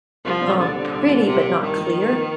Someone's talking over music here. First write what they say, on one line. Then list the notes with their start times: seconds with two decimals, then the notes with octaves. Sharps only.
um, pretty but not clear,
0.24 C2 F3
0.41 A#2 G3 C4
0.58 C2 D3
0.76 A#2 G3 C4
0.93 C2
1.10 A#2 G3 C4
1.26 C2 C3
1.44 A#2 G3 C4
1.61 G2 D#3
1.78 F3 A#3
1.95 G2
2.12 F3 A#3